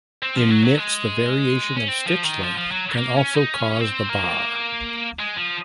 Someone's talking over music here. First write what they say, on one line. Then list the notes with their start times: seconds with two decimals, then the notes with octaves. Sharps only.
In knits the variation of stitch length can also cause the barre.
0.23 C4
0.36 F3
0.50 F#3
0.65 F#3
0.78 G#3
1.77 C#4
1.89 C4
2.06 F3
2.24 D#3
2.43 F3
2.58 F3
2.71 F#3
2.98 A#3
3.17 C#4
3.34 D#4
3.54 C#4
3.81 C4
4.09 A#3
5.19 G#3
5.37 F3